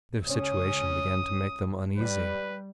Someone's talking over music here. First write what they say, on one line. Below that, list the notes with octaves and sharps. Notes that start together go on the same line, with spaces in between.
Their situation began to make them uneasy.
C#2 C#4 D#6
G3 B4